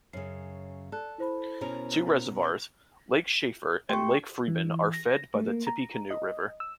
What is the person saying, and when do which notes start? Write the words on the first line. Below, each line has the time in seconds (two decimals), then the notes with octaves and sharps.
Two reservoirs, Lake Shafer and Lake Freeman, are fed by the Tippecanoe River.
0.13 F#2 C#3 C7
0.92 A4 D5 F#6
1.18 E4 C5 B5
1.61 B2 C#4 A#4
3.90 A3 G4 G5 C6 C#6
4.48 E3
4.93 A#6
5.35 A3
5.47 A#3
5.67 A#5
6.11 D#5
6.60 E6